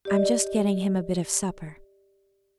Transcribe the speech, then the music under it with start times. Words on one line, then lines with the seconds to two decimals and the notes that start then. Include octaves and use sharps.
I'm just getting him a bit of supper.
0.05 G4 D5 D#5